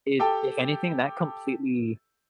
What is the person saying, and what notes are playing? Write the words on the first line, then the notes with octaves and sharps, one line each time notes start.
it if anything, that completely
G4 A4 G5 A5